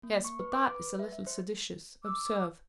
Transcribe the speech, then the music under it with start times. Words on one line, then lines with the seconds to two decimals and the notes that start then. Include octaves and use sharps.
"Yes; but that is a little seditious, observe."
0.03 A#3
0.25 C#6
0.39 B4
0.52 D6
0.74 B4
0.99 E5
1.12 E5
1.27 C5
2.03 D6 E6